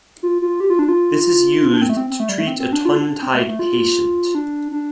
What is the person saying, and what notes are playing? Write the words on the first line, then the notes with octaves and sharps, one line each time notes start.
This is used to treat a tongue tied patient.
F4
F4
G4
F4
D4
F4
D4
C4
A3
C4
C4
A3
G3
A3
C4
C4
D4
F4
D4
D4
C4
A3
A3
F4
D4
D4